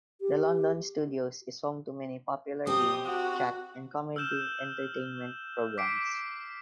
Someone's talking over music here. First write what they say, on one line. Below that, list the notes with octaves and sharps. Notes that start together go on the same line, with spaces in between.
The London Studios is home to many popular game, chat and comedy entertainment programmes.
G4
C4 G4 D#6
F#4
E6 F6 G6 E7 G7
D6 B6 C7 D7